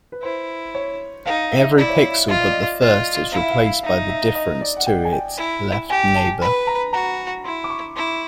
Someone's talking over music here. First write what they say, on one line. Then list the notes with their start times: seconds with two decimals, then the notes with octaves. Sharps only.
Every pixel but the first is replaced by the difference to its left neighbor.
0.12 B4
0.23 E4 C5
0.75 C#5
1.26 D#4 F5
1.52 E5
1.77 E4 D5
1.89 C#5
2.02 D5
2.28 F4 D#5
2.40 D5
2.51 D#5
2.81 F4 D#5
3.31 E4 F5
3.41 E5
3.50 F5
3.83 D#4 E5
4.09 E5
4.35 D#5
4.61 D5
4.76 F#5
4.86 G5
5.05 G#5
5.12 G5
5.38 E4
5.90 G4 G#5
6.16 A5
6.42 B4 B5
6.67 A#5
6.93 F#4 A#5
7.44 E4 C6
7.64 D6
7.70 C#6
7.96 E4 C6